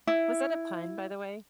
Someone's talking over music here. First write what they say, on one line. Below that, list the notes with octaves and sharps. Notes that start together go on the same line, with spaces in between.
was that a pun, by the way?
E4